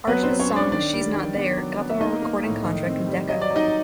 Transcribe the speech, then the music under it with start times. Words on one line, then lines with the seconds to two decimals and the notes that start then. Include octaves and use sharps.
Argent's song "She's Not There" got them a recording contract with Decca.
0.07 F#3 B3 B4
0.23 C4 C5
0.30 F#3
0.40 C#4 C#5
0.51 B3
0.56 D4 D5
0.72 D#3 D4 D5
0.93 G3
1.14 D#3
1.36 B3
1.57 F#3
1.79 B3
1.90 E5
2.00 A#3 D#4 D#5
2.22 A#3
2.43 A2
2.65 D#3
2.85 C4
3.07 G3
3.29 F#3 D#5
3.42 D5
3.50 F#3
3.56 D#4 D#5